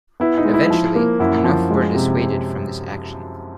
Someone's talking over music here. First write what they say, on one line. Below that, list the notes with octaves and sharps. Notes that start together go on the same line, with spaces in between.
Eventually, enough were dissuaded from this action.
B3 E4
D#4
G#3
E4
F3
A#3
F#2 E4 F#4
F3
G#3
C3